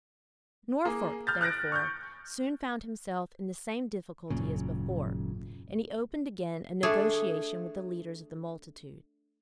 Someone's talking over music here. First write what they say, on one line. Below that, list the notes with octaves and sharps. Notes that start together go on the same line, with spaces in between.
Norfolk, therefore, soon found himself in the same difficulty as before; and he opened again a negotiation with the leaders of the multitude.
A#3 G#4
F6 G6 A6
F6 F#6 A6 A#6 D7
C#6 F6 G6
G#1 F#2 A#2 C#3
A3 D4 G#4